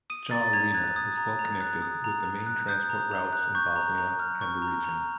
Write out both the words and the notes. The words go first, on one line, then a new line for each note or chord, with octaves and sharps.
Jahorina is well-connected with the main transport routes in Bosnia and the region.
D#6 D#7
A#5 A6
A#5 G#6
F#6 G#6
D#6
A#5
A#5
F#6
D#6
A#5
A#5
F#6
D#6 G6
A#5
A#5
F#6
C#6 G6
A#5
A#5
F6
C#6
A#5
A#5